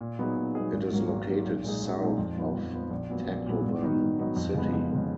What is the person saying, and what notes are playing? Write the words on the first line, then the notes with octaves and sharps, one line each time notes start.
It is located south of Tacloban City.
A#2
F#3 B3 D#4 G#4
A#2
F#3 B3 D#4 G#4
G#1
G#2 F#3 A#3
G#1
G#2 F#3 A#3
B1
A#2 G#3 D#4 G#4
B1
A#2 G#3 D#4 G#4
F2
F3 B3
F2
F3 B3
A#1
A#2 F#3 B3
A#1
A#2 F#3 B3
G#2
D#3 F#3 B3 D#4
G#2
D#3 F#3 B3 D#4
F2
C#3 G#3 B3
F2
C#3 G#3 B3